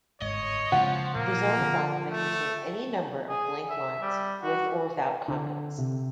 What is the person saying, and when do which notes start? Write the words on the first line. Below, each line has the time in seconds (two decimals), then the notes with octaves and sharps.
The zone file may contain any number of blank lines with or without comments.
0.22 G1 G#2 C#5 D#5
0.72 C#3 F3 G#3 C4 F#5
1.16 A#2 A#3
1.61 D3
2.11 A3
3.29 G#4
3.69 E5
4.02 G3
4.42 F#4
5.28 D3
5.78 C3